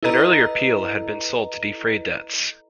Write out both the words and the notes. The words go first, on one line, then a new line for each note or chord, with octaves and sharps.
An earlier peal had been sold to defray debts.
E4 A4 B4 D#5 A#5